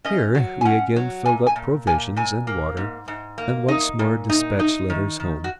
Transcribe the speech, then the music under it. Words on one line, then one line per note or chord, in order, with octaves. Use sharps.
Here we again filled up provisions and water, and once more despatched letters home.
C#4 D#5
F#3
G#5
C#4 F#5
F#3
A#2 G#5
G#5
A#2
A#2 G#5
A#2 G#5
A#3
G#2
G#2
A#3
D#4 D#5
A#2
D#4
D#4
D#3
D#3
F#4